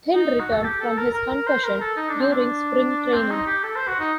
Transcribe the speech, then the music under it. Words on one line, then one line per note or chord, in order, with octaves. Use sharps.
Hill returned from his concussion during spring training.
D#4
F#4
A4
G4
A4
A#4
A#4
A#4
C5
A#4
A4
D#4
D4
C4
D4
C4
D#4
G4
A4
C5
F#4
D#4